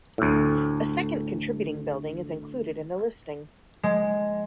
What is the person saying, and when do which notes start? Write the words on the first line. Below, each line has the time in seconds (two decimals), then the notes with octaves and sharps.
A second contributing building is included in the listing.
0.18 D2 A2
3.83 G#3